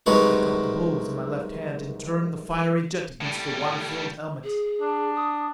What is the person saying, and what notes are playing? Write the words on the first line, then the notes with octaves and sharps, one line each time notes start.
I caught the hose in my left hand and turned the fiery jet against the water-filled helmet.
C2 D#3 F#3 G#3 B4 C#5
A2 G3
G#4
D4
D#6